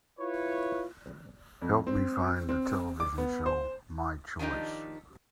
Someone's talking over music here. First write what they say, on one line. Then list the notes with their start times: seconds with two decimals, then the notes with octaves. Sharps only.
Help me find the television show, My Choice.
0.20 E4 F4 B4 C#5
1.62 F2
1.87 C4
2.49 C4
3.00 D6
3.18 B3
3.46 C5
4.39 D#3 F3 D4 D#4 G4